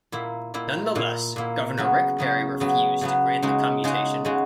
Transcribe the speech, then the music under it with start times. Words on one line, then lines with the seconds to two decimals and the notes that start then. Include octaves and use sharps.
Nonetheless, Governor Rick Perry refused to grant the commutation.
0.12 A#2 A#3 E4
0.54 A#2 A#3 E4
0.95 A#2 A#3 E4
1.36 A#2 A#3 E4
1.77 C#3 F#3 B3
2.18 C#3 F#3 B3
2.60 C#3 F#3 B3
3.01 C#3 F#3 B3
3.42 C#3 G#3 D#4 F#4
3.84 C#3 G#3 D#4 F#4
4.25 C#3 G#3 D#4 F#4